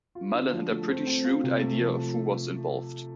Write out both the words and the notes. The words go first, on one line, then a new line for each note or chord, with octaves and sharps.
Mallon had a pretty shrewd idea of who was involved.
F4
D3
F3
A3
C4
C4
F4
C3
A3
F3